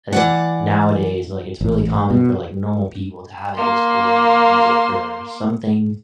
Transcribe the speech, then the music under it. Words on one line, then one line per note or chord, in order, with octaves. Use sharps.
I think nowadays, like, it's really common for, like, normal people to have a Discord, and use it for something,
E3 D5 F#5
A1
B2
A#3 C6